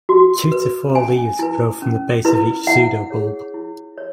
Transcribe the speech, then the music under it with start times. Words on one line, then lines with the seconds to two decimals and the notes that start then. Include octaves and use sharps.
Two to four leaves grow from the base of each pseudobulb.
0.09 F#4
0.52 B4
0.95 C#4 G#5
1.39 E4 B4
1.82 C#4
2.25 E4 B4
2.67 E4 F#5
3.10 G#4 C#5
3.54 E4
3.98 C#5